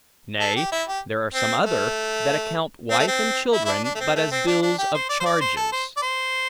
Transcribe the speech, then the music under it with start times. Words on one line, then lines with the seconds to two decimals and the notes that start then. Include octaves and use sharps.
Nay, there are some other, that account wife and children, but as bills of charges.
0.40 A4
0.56 G4
0.72 E4
0.88 G4
1.34 C4
1.66 A3
2.91 C4
2.99 A3
3.08 C4
3.53 E4
3.65 E4
3.68 D4
3.84 D4
3.95 A3
4.00 C4
4.16 A3
4.31 C4
4.47 D4
4.62 D4
4.78 G4
4.94 C5
5.09 D5
5.20 C5
5.25 D5
5.41 C5
5.56 A4
5.72 C5
5.97 D5
6.02 C5